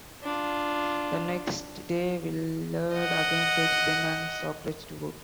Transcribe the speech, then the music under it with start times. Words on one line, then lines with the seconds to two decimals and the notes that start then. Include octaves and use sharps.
The next day Willard again takes Ben and Socrates to work.
0.23 D4 F4
2.96 D#5 F#5